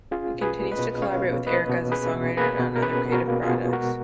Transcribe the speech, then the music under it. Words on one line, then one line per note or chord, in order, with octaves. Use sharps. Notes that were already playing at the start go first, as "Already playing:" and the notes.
He continues to collaborate with Erica as a songwriter and on other creative projects.
C#4 F4 G#4
B2
G#4 B4
A#3
B4 D#5
B2
C#4 C#5 F5
B2
A#3 B4 D#5
B2
C#4 G#4 B4
B2
A#3 G#4 B4
B2
A#4
C#4 G#4 B4
B2
F#4 A#4
A#3
F4 G#4
B2
G#3 F#4 A#4